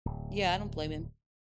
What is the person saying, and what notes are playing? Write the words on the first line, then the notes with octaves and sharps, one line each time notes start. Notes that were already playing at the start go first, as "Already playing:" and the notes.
Yeah, I don't blame him.
D1